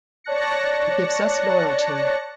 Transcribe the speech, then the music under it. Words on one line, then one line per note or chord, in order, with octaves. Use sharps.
He gives us loyalty.
C#5 D5 A5 F#6 A#6 C#7